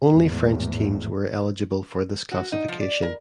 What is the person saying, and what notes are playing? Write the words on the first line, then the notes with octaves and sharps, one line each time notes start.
Only French teams were eligible for this classification.
G#1 E2 A2
F#4
D#4
F3
D5
A#4